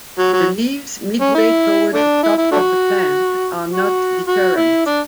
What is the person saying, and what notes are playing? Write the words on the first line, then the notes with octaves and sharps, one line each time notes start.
The leaves midway towards the top of the plant are not decurrent.
F#3
F#3
C#4
E4
A3 D4
E4
E4
A3 D4 F#4
F#4
F#4
E4
D4